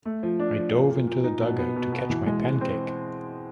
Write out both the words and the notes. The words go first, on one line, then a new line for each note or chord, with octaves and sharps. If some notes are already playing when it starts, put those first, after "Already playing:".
I dove into the dugout to catch my pancake.
A3
F3
D4
F3
A#2
A#2
A#2
D#4
B2
B3
B2
B2
E3
G#3
G#3
C4